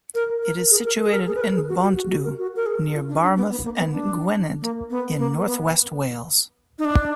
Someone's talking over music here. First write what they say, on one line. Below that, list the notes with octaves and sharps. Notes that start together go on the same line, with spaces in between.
It is situated in Bontddu, near Barmouth in Gwynedd in north-west Wales.
A#4
A#4
G#4
A#4
G#4
A#4
G#4
B4
A#4
G#4
F#4
F#4
F#4
F#4
A#4
F#4
A#4
G#4
F4
D4
D4
B3
B3
A#3
B3
D4
A#3
B3
A#3
B3
D#4
D4